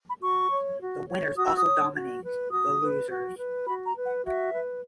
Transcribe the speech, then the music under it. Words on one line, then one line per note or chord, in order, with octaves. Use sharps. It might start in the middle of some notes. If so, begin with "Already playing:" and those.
The winners also dominate the losers.
B5
F#4 C#6
C#5
F#4
C#5
F#4 D#6
E6
D#6
C#5
F#4
B4
F#4 D#6
B4
F#4
B4
F#4 B5
A#5
B4
F#5
F#4 E5
B4